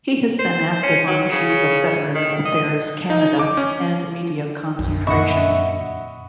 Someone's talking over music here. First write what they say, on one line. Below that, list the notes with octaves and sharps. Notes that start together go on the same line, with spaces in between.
He has been active on issues of Veterans Affairs Canada and media concentration.
C5
C#4
F#3
C#3
D#3
D#5
D#4
D6
C#4
B1 F#2
F2 A#2 D3 D#5 E5 F#5 B5 C#6